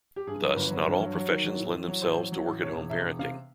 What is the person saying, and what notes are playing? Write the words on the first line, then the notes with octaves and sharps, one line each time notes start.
Thus, not all professions lend themselves to work-at-home parenting.
G4
G2 G#4
F#3 A#4
G1 B4
F#3
G2
F#3
F#3
D#3
F#3
A2
A1
F#3
A1 C5
F#3
F#3
A1
E1 C#5
E1
E1 E5
E1
C3 F5